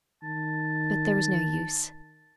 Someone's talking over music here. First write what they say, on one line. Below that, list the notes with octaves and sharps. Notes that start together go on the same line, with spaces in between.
But there was no use.
D#3 A5